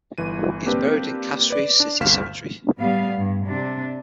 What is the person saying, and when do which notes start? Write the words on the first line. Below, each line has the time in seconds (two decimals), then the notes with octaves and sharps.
He is buried in Castries City Cemetery.
0.18 G1 E3 D#7
0.66 A#3 C4 D4 G4 B4
1.50 B4 D5
1.80 D4
2.00 G1 D2 F5 F6 B6 E7
2.79 A2 G3 B3 F5
3.17 G2
3.47 C3 D4